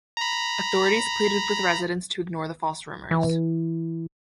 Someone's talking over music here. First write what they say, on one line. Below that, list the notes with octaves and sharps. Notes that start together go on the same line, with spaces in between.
Authorities pleaded with residents to ignore the false rumors.
A#5 B5
E3